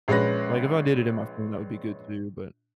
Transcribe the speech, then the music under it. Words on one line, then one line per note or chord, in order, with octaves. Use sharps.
Like, if I did it in my phone, that would be good too, but
A#1 G#3 C#4 B4 A#6